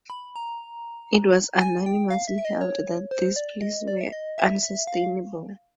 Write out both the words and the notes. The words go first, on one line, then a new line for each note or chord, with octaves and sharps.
It was unanimously held that these pleas were unsustainable.
B5
A#5
G#5
G5
F5
E5
E5
D#5
C#5
C5
D5
D#5
D5
E5
D#5
E5
E5
F5